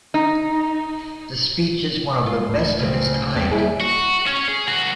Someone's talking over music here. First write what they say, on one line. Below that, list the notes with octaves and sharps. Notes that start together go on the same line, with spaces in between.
The speech is one of the best of its kind.
D#4
F4
C#2 A2
C#3 C4
E2 D4 G4
D#2 G3 E4 G#4
F#4
C#4 C#5
G#4
C#2 F#4